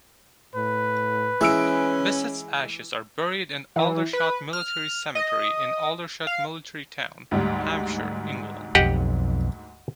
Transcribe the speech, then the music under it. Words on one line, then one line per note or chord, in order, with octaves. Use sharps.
Bissett's ashes are buried in Aldershot Military Cemetery in Aldershot Military Town, Hampshire, England.
A2 B4
E3 G#3 C#4 E4 E6 D7
E3
B4
F6
D#5
F5
D2 G#2 G3
B1 F2 G4 D#5 F#5